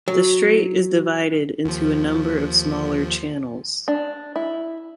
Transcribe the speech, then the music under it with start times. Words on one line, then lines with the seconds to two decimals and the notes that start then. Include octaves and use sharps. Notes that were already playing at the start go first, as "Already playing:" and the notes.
The strait is divided into a number of smaller channels.
0.08 F#3
1.65 D#2 F3
3.88 D4
4.36 E4